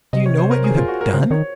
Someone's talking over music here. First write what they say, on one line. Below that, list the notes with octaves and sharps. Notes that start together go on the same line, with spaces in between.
Do you know what you have done?
C3 D#5
C#5
C5
A#4
G#4
F4
F#4
A#4
C#3 C5
D#3 C#5